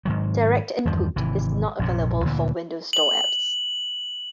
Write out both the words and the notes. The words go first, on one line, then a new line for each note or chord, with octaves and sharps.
DirectInput is not available for Windows Store apps.
G#2 D#3 F#3
E2 G2 D#3 F3
G#1 C3 E3
A#1 F#2 C3
D2 A#2 D3 E3
F#7